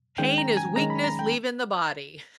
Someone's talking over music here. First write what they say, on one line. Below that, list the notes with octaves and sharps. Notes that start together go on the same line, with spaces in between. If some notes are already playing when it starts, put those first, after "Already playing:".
Pain is weakness leaving the body.
D#3 G#3 C#4 G5
A#5
G#5
D#3 G#3 C#4 A#5
B5
A#5
G5